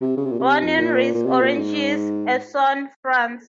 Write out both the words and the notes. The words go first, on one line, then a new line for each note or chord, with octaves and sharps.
Born in Ris-Orangis, Essonne, France.
C3
C#3
C3
A#2
C3
F2
A#2
A#2
C3
A#2
G#2